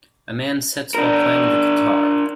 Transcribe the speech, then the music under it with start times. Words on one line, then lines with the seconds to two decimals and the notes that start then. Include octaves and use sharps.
A man sits while playing the guitar.
0.95 D4 A#4